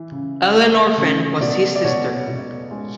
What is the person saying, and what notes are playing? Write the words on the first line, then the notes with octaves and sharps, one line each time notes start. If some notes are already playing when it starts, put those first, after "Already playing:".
Ellenor Fenn was his sister.
Already playing: E3
C#3
A3
C#3
B2 D5
D5
B2 C#5
B2
G#3